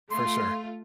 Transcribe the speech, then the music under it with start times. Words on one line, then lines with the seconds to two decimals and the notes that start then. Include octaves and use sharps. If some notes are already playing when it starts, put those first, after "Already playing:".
For sure.
0.11 A3 F4 C6